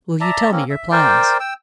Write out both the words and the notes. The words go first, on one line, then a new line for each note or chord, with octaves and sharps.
"Will you tell me your plans?"
D5 E5 A5 A#5
A#3 C4 C#4
E5
A#4 C5 D5 G5
G5 E6